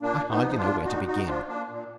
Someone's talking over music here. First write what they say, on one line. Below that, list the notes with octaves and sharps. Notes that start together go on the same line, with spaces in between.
I hardly know where to begin.
A#2 A#3 D4
B3 D#4
F3 D#4
D4 F4
A#2 D#4 F#4
D#4 F#4
F3 D4 F4
A#3 D4
A#2